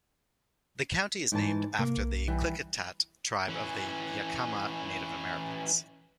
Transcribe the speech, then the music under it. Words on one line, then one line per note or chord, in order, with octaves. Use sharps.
The county is named after the Klickitat tribe of the Yakama Native Americans.
G#2 E3 A5
C3 A#3
B1
E3 G3
E3 C#4